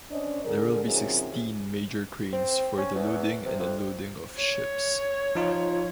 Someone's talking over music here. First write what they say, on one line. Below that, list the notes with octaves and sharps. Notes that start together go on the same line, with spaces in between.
There will be sixteen major cranes for the loading and unloading of ships.
C#4 D4 C5 C#5 D#5
D3 G#4 A#4
C3 D#3 F#3 C#4 F4 G#4
C4
C#4
E2
C3
F2
C#5
F3 D#4 F4